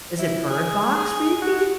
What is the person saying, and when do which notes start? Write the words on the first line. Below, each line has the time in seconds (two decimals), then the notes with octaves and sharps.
Is it Bird Box maybe?
0.19 E4
0.50 G#4
0.95 G#4
1.42 F#4